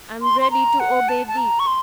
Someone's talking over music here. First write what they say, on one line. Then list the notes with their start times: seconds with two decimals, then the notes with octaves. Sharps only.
I am ready to obey thee.
0.22 C6
0.41 C6
0.51 A#5
0.80 F#5
1.08 A5
1.28 A5
1.37 A#5
1.59 C#6
1.67 C6